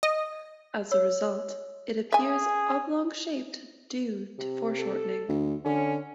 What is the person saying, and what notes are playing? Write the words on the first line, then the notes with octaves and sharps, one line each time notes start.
As a result, it appears oblong-shaped due to foreshortening.
D#5
C#5 E6
G#4 E5 G#5
C3
A4
D2
D3 C#4